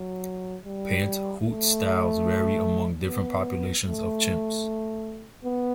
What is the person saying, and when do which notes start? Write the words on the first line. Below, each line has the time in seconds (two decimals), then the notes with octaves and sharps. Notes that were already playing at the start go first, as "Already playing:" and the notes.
Pant-hoot styles vary among different populations of chimps.
Already playing: F#3
0.65 G3
1.45 A3
3.05 B3
3.85 A3
5.44 B3